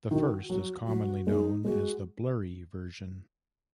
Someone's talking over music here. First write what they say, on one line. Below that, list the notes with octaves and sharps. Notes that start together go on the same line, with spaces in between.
The first is commonly known as the "blurry" version.
D#3 F#4
F#3 F#4
F#3 F#4
G#3 D#4
G#3 F#4